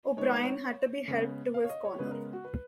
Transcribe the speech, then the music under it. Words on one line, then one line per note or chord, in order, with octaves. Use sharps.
O'Brien had to be helped to his corner.
D#3 G#3 B3 C#5
B4
C#5
C#3 G#3 B3
F5
C#5
D#5
C#5
C#3 G#3 B3 B4
A#4
F#4
B4